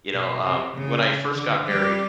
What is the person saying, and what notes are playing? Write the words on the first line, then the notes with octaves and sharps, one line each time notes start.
You know, um, when I first got married,
B2
C3
C#3
D3
G3